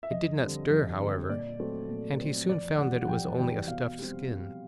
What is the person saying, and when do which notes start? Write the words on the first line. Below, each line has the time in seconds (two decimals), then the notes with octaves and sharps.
It did not stir, however, and he soon found that it was only a stuffed skin.
0.03 E5
0.11 F2 D#5
0.40 D3 G3 C4
0.70 F2
1.00 D3 G3 C4
1.29 A#2 D5
1.59 F#3 A3 C4
1.89 A#2
2.20 F#3 A3 C4
2.49 F2 D5
2.78 C3 E3 G3 F#5
3.02 F#5
3.08 F2 G5
3.38 C3 E3 G3 G5
3.68 B2 F5
3.98 G3 C4
4.28 B2